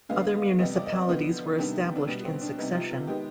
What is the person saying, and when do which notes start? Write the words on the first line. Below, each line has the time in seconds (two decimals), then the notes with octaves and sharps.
Other municipalities were established in succession.
0.09 D3 G#3 B3 F5
0.59 C3 G3 B3 D#5
0.75 D5
0.86 D#5
0.93 D5
1.09 D3 F3 B3 F4
1.58 C3 D#3 G3 B3 D4
1.96 D4
2.08 B2 G3 B3
2.25 C4
2.42 D4
2.58 C3 G3 B3 D#4
2.75 F4
2.91 F4
3.07 D#3 G#3 B3 G4